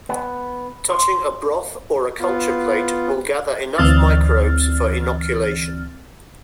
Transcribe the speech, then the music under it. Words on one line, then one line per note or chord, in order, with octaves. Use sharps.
Touching a broth or a culture plate will gather enough microbes for inoculation.
B3
C6
B3 F4
D2 E3 C4 F6 A6